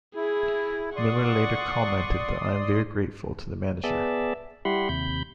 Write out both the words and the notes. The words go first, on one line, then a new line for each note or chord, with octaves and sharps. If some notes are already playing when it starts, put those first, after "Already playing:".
Miller later commented that I am very grateful to the manager.
E4 G#4
D5 F#5 C6 C#6 D#6
B3 G#4 D5 E5 A5
G3 E4 G4 F#5 B5 C6
D#2 C3 B5 G6